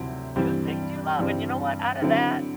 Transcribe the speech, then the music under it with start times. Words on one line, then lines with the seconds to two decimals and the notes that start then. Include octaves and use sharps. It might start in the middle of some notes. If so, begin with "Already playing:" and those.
do things you love and you know what, out of that.
Already playing: D2 C3 F#3 C4 E4
0.36 G2 E3 G3 C4
1.19 G2 E3 G3 C4
2.02 D3 F#3 C4 E4